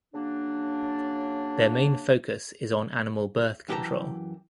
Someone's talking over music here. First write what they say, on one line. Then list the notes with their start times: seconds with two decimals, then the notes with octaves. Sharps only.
Their main focus is on animal birth control.
0.14 C#3 F#3 A#3 D4
3.69 F#2 E3 G4 A4 A5 A#5